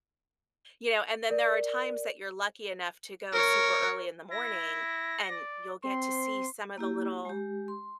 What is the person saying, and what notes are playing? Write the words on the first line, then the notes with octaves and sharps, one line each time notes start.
You know, and then there are times that you're lucky enough to go super early in the morning, and you'll get to see some of the little
A#4 D5
A#4 C#5
E4 A#6
D5
C4 C6
A#3 E4 G4
G#3 G4
C6